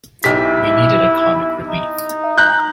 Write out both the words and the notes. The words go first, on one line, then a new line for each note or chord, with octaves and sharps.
We needed a comic relief.
B1 E4 G4 B6
D#4
A#5 F#6 G6